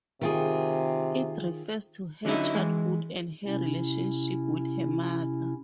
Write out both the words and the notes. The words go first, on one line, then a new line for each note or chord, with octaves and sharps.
It refers to her childhood and her relationship with her mother.
C3 D#3 F4 G#4
D3 F#3 C#4 D#4 E4
E3 G#3
C3 C#4 E4